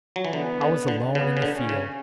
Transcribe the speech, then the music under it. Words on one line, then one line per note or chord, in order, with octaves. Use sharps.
I was alone in the field.
F#3
E3
D3 B3
D3
D3
C#3 B3
C#3
D3
C#4
C#3